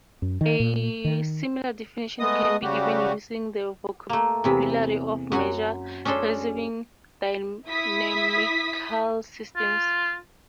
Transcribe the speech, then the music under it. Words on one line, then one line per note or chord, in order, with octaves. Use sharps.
A similar definition can be given using the vocabulary of measure-preserving dynamical systems.
F#2
D#3
A#2
D#3
G#3 A3 B3 D#5 D#6
C#3 G3 F#4 G4
A3 A#3
E2 C3 E3
F#2 F#4 F#5 G#5
C#4 D4 G#4 A4 C6
E4 E5 D#6 B6
F4